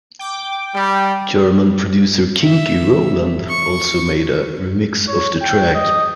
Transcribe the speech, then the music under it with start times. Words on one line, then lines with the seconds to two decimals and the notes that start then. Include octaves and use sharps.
German producer Kinky Roland also made a remix of the track.
0.19 G5 D6
0.73 G3
2.43 E5
3.49 C#6
5.08 C#5
5.41 G5
5.75 D#5